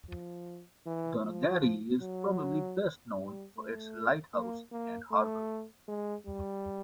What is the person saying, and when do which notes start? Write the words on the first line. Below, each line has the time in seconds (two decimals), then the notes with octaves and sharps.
Donaghadee is probably best known for its lighthouse and harbour.
0.09 F3
0.86 E3
1.25 F3
2.02 F#3
3.19 G3
3.57 A3
4.34 A#3
4.72 A#3
5.11 A3
5.88 G#3
6.27 G3